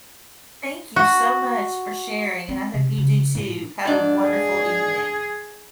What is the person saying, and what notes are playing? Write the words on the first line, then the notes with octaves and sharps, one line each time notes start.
Thank you so much for sharing, and I hope you do, too. Have a wonderful evening.
F#4
C4
C3
C#3
A2
G#2 D4
G#4